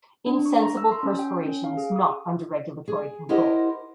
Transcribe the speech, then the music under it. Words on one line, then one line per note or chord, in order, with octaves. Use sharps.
Insensible perspiration is not under regulatory control.
D4
C#6
A#5
E6
C6
C#4
G5
C#4
F5
G#4
D#6
G#4
E4 G4 A#4 C5 D#5 F#5